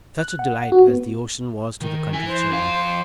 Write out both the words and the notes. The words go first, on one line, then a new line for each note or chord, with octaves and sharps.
Such a delight as the ocean was to the country children!
F#6
F#5
F#4
B3
D#3
E4 G#5
C5
F2 F5